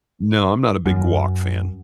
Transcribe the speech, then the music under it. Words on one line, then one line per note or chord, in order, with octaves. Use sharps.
No, I'm not a big guac fan.
F#2